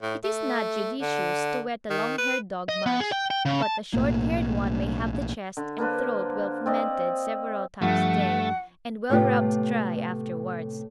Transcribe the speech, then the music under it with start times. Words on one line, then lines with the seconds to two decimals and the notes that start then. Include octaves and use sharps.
It is not judicious to wet a long-haired dog much, but a short-haired one may have the chest and throat well fomented several times a day, and well rubbed dry afterwards.
0.02 A2
0.24 A3
1.01 D3
1.90 D#3
2.18 B4
2.69 D#5
2.86 B3
3.00 G#4
3.12 G5
3.31 G5
3.45 C#3
3.62 A5
3.94 B1 A2 A#3
5.57 D3
5.78 A#3 D4 B4 C5
6.66 C4 D5 D#5
7.82 G2 F3 A3 F#5 C#6
9.10 A2 C3 A3 B3 F4 G4